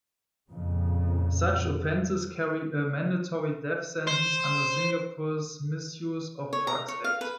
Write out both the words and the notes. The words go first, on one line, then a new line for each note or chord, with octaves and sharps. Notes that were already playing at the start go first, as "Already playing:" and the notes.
Such offenses carry a mandatory death sentence under Singapore's Misuse of Drugs Act.
F2 A#2 C#3 F3
C5
C#5
A#5
C#5
F5
B4